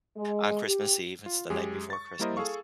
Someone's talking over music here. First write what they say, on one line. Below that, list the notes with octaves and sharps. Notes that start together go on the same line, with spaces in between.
on Christmas Eve, it's the night before Christmas,
G#3
G4
F4
F#2 G#3 G4 G#4
C#6 A6
G3 A#3 E4 A#4 C5 D#5
G#4 A4 F5 C#6